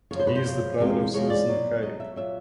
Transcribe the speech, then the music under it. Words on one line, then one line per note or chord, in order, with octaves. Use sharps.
He is the brother of Citizen Kay.
F#2 C#3 F3 C#5
C5
B4
C5
F#2 C#3 F3
E2 C3 F3 G#3
E2 C3 F3 G#3 C#5
D5
B2 F#3
B2 F#3 D#5
E5
A#2 F#3 E5